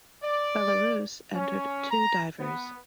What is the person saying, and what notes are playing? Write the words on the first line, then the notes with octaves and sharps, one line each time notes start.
Belarus entered two divers.
D5
C#4
A#5
B3